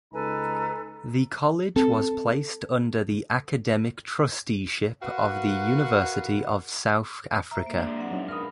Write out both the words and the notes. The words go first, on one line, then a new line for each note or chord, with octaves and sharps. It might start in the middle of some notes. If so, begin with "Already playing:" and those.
The College was placed under the academic trusteeship of the University of South Africa.
C#2 D#4 A4 B4 G#5 A#5
C4 A4
F#4 A#4 B4 F5 F#5
C5 E5 A#5
A#3 E5
G#3 D4
F#3 C4 F#5
F#3 C#4 D#4 E5
A#4 B5 D#6 F6